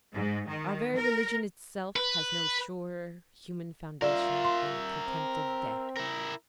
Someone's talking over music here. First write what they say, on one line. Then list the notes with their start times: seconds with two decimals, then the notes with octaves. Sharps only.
Our very religion itself has no surer human foundation than the contempt of death.
0.14 G#2
0.48 D#3
0.96 A#4
1.96 B4
4.02 F4 A#4 D5 E5
4.45 C6
5.08 C4
5.97 E4 A#4